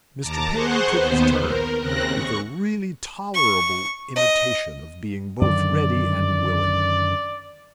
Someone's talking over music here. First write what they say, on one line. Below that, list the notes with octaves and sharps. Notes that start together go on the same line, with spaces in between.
Mr. Paley took his turn, with a really tolerable imitation of being both ready and willing.
D#2 A5 A#5 D6
G#4 C5 F#5 C6 C#6 F#6
D#2 B3 C5
A#4
D#2 C#3 C4 F#6 A#6
C#6
C#6
D#5
F#2 D3 D#3 D5